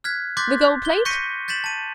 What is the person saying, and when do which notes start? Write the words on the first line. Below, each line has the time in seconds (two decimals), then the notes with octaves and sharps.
"The gold plate?"
0.04 F6 F#6 G#6 B6
0.37 C6 D6 F#6 G6 A6 B6
0.85 G7
1.05 C#6 G6 A#6 B6 C#7 D#7
1.48 G6 A6 B6 E7 F#7
1.64 A5 D#7